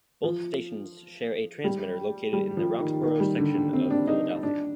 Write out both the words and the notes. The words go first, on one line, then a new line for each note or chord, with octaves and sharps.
Both stations share a transmitter located in the Roxborough section of Philadelphia.
F3
G3
G3
F3
D#3
D#3
G3
D3
D3
C4
D4
D#4
D4